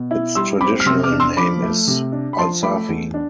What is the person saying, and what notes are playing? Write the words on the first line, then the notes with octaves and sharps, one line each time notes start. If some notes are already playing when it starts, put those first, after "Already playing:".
Its traditional name is Alsafi.
Already playing: B2
E4
G3 C6 E6
C4 B5 D6
F6
C3 C6 E6
D6 F6
D4
C6 E6
F3 B5 D6
A3
C3
D4
B5
F3 A5 C6
A3 B5 D6
E2
D4